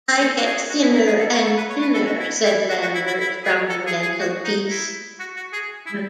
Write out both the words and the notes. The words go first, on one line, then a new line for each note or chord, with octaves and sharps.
"I get thinner and thinner," said Lambert from the mantelpiece.
A4
F#4
G#4
F#4
E4
E4
G#4
A4
C#5
A4
B4
C#5
B4
A4
F#4
E4
E4
F#4
F#4
E4
E4
E4
G#4
A4
G#4
G#4
F#4
D#4
E4
F#4
F#4
G#4
E4